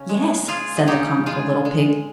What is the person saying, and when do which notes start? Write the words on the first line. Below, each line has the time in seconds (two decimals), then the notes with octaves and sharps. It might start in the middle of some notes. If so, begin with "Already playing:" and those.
"Yes," said the comical little pig.
Already playing: C#3 C#4
0.09 G#3
0.48 G#3 F4 G#4
0.77 G#4
0.87 C#3 D#4 G4
1.26 G#3 F4 G#4
1.65 G#3